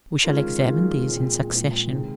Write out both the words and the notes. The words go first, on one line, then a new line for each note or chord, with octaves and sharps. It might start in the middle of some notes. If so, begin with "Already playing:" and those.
We shall examine these in succession.
D#3 G#3 C#4 F4 A#4
D#3 G#3 C#4 F4 A#4
A#2 F3 G#3 C4
A#2 F3 G#3 C4
C3 D#3 G#3 C4